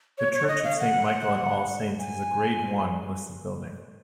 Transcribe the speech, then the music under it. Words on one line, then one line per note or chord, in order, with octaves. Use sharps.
The Church of Saint Michael and All Saints is a Grade One listed building.
C#5
C#5
D#5
F5
F#5
G#5